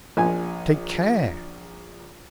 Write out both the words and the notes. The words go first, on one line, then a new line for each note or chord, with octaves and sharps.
Take care!
A#1 G#5